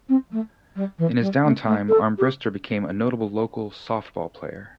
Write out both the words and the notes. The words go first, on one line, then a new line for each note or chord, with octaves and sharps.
In his downtime, Armbrister became a notable local softball player.
C4
A3
G3
E3
G3
A3
A3
A4
G4